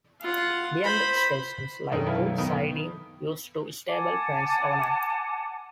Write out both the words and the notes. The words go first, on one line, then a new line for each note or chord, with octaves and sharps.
Beyond the station lie two sidings used to stable trains overnight.
F4 F#5
C5 B5
B1 F#2 D3 D#3
E4 A4 B4 F5
D#3 B3
F#5 G#5 A5 D6